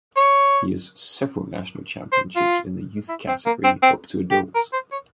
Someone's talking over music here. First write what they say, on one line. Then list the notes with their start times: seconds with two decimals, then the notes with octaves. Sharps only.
He has several national championships in the youth category up to adults.
0.16 C#5
2.12 C5
2.36 F4
3.09 E4
3.28 C4
3.46 A#3
3.64 C4
3.83 C4
4.31 G4
4.55 A#4
4.73 C5
4.92 C#5